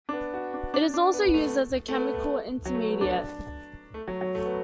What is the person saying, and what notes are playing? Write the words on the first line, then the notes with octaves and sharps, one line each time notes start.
It is also used as a chemical intermediate.
D4
B3
F#4
D4
D4
D4
B3
A3
A3
B3
A3
F#3
A3
B3
D4
A3
F#3
F#3
A3
B3